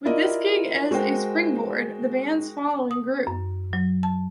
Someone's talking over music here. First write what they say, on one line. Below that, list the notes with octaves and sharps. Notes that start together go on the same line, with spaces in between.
With this gig as a springboard, the band's following grew.
E4 F4 A#4 D5 D#5
G#3 F#4 A#4 C5 G5
D#6
F#2
F#3
A5